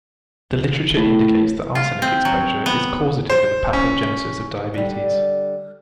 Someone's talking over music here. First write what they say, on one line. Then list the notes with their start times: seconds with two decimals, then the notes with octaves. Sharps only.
The literature indicates that arsenic exposure is causative in the pathogenesis of diabetes.
0.97 A2
1.75 F4
2.02 C4
2.25 F#3
2.66 B3
3.30 C5
3.73 C#4
4.74 D3 G3